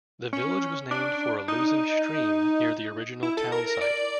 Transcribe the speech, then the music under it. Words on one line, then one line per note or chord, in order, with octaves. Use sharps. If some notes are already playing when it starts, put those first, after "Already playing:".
The village was named for a losing stream near the original town site.
C#4
D4
D#4
E4
A4
A#4
A#4
D5